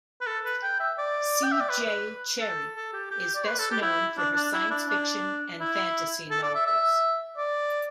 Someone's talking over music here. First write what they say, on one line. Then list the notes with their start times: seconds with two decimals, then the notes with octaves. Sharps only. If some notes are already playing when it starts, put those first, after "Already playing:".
C. J. Cherryh is best known for her science fiction and fantasy novels.
0.21 B4
0.27 A4
0.44 B4
0.63 G5
0.80 E5
0.98 D5
1.44 G5
1.52 E5
1.60 D5
1.69 B4
2.40 A4
2.76 A4
2.93 G4
3.11 G4
3.35 D5
3.47 B4
3.59 A4
3.71 G4
3.82 E4
4.18 D4
4.36 D4
4.54 E4
4.71 D4
4.89 D4
5.60 E4
6.31 A4
6.43 D5
6.55 E5
6.67 E5
7.38 D5